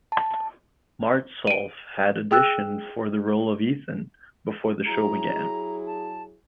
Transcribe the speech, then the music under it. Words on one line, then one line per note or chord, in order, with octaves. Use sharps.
Martsolf had auditioned for the role of Ethan before the show began.
A5
D7 D#7
G#4 G5 E6 F#6
F#3 E4 G#4 A#5
A5